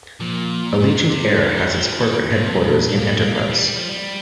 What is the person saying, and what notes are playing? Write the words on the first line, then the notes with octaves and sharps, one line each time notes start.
Allegiant Air has its corporate headquarters in Enterprise.
A#2 F3
G2 A#2
C3
C3
D#3
F3
G3
C4
F3
D#3
A#2
F2
G2 A#2
A#3
G3
A#3
A#3
G3
G3
F3
G3